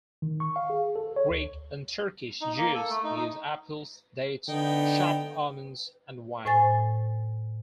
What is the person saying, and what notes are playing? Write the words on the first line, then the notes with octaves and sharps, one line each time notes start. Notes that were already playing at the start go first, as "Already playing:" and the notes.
Greek and Turkish Jews use apples, dates, chopped almonds, and wine.
D#3
C#6
F5
G#4
A4
C#5
D2
D#4
A#3
A4
A3
D#4
D#4
D3 B3 D#4 G5
A2 C5 G#5 A6